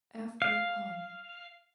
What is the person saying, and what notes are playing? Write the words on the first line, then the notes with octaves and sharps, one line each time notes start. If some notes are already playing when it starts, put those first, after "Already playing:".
After Hon.
F5